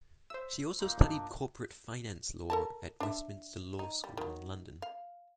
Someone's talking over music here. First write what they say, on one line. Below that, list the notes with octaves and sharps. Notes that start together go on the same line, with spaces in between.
She also studied Corporate Finance Law at Westminster Law School in London.
C5 E5 E6
A#2 D#4 C6
B1 G2 D4 D#4 D5
A4 A#4 A5
D4 E5
D#4
G3
D#3 F#3
F5